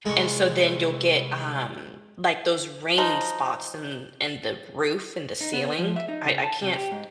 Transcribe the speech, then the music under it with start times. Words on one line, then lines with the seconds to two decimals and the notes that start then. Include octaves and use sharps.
and so then you'll get, um, like, those rain spots in in the roof in the ceiling. I I can't th
0.05 C2 G#3 C#6
2.98 F3 D#4
5.41 D#4
5.53 B3
5.79 F3
5.96 E5
6.08 D#4
6.25 C#3
6.44 A5
6.62 C3
6.76 G4
6.92 G#2